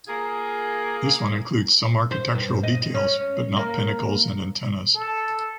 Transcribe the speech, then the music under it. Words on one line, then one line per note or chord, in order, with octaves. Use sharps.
This one includes some architectural details, but not pinnacles and antennas.
A#3 F4 G#4
C5
G2
D#5
C#4
A#3
A4